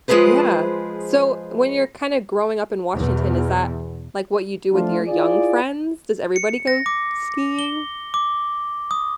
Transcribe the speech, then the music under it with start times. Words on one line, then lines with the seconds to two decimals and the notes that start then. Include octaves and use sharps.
Yeah. So, when you're kinda growing up in Washington, is that, like, what you do with your young friends? Does everybody go skiing?
0.08 F3 G#3 A3 G#4 B4 C5
2.96 E2 B2
4.72 F3 A3 D4 F4
5.07 E4 F4 G#4 D5
6.36 C#7
6.67 A#6
6.86 D6
7.59 G7
8.14 D6
8.91 D#6